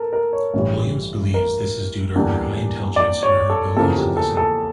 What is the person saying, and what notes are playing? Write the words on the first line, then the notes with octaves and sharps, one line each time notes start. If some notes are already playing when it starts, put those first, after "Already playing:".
Williams believes this is due to her high intelligence and her ability to listen.
Already playing: A4 A#4
A#4
C#5
A1 G2 E3 G3 C#5
A#4
E2 D3 G3 A#3 D4
D5
C#5
A4
E2 C#3 F3 A#3 A4
G4
A4
A4